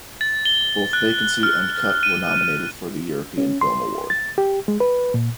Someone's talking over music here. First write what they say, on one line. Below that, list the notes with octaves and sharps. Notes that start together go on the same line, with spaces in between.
Both Vacancy and Cut were nominated for the European Film Award.
A6
G7
F#6
F6
D#7
C#4
C6
A6
G4
G#3
B4
A#2